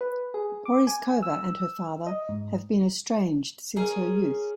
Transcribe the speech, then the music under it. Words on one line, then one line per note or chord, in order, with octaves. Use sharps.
Porizkova and her father have been estranged since her youth.
B4
G#4
D6
G#5
E6
D#5
G#2
C#4 G#4 A#4